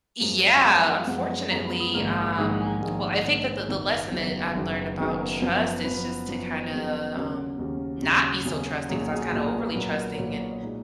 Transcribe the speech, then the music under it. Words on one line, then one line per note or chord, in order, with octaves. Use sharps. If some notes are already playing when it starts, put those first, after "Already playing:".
Yeah, unfortunately, um, well, I think that the the lesson that I've learned about trust is just to kinda, um, not be so trusting 'cause I was kinda overly trusting and
F#2 F3 G#3 B3 A#4
C#5
D#5
F#2 F3 G#3 B3 C#5
D#5
F5
F#2 F3 G#3 B3 F#5
F#2 F3 G#3 B3 A#5
B5
D#6
A#1 G#2 D#3 A#3 F6
D#6
A#1 G#2 D#3 A#3 D#6
D#6
G#5
A#5
A#1 G#2 D#3 A#3 G#5
F#5
A#1 G#2 D#3 A#3
D#5
C#5
G#4
F#1 F#2 D#3 F#3 B3 A#4
F#1 F#2 D#3 F#3 B3
F#1 F#2 D#3 F#3 B3
F#1 F#2 D#3 F#3 B3 G#4
A#4
F#2 F3 B3
F#2 F3 B3 B4
F#2 F3 B3
F#2 F3 B3 G#4
D#2 C#3 F#3 C#4 A#4
D#2 C#3 F#3 C#4
D#2 C#3 F#3 C#4
D#2 C#3 F#3 C#4 G#4
B1 A#2 F#3 A#3 G#4
G#4
G#4
B1 A#2 F#3 A#3 G#4
A#4
B4
B1 A#2 F#3 A#3 A#4
A#4
B1 A#2 F#3 A#3 C#5
A#4
C#5
D#5
A#2 G#3 D#4